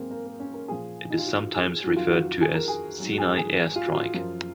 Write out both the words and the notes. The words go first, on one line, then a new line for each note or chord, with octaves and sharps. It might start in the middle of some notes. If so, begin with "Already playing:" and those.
It is sometimes referred to as "Sinai Air Strike".
Already playing: G#2 F#3 A#3 C4 G#4
A#3
A#3
C#4
A#4
A#2 F3 G#4
D#4
F4
F#4
G#4
F2 D#3 F#3 F#4
F4
F#4
G#4
A#4
G#4
G#2 F#3
F#4
G#4
G#4
F4
F#4
F4
F#2 F3